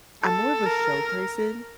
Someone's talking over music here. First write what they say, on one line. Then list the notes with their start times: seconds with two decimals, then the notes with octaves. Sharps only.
I'm more of a show person
0.24 A4
0.66 A#4